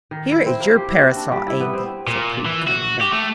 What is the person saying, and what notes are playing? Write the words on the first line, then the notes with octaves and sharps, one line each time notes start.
"Here is your parasol, auntie," said Prudy, coming back.
D#3
E4
C4
A#3
G4
E4
F#4
D4
G3
E4
B3
C4
A#2
E3
F#4
G4
A3